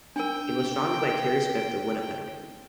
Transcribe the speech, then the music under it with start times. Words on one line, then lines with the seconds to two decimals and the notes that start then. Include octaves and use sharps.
It was founded by Terry Smith of Winnipeg.
0.16 D4 A#4 G5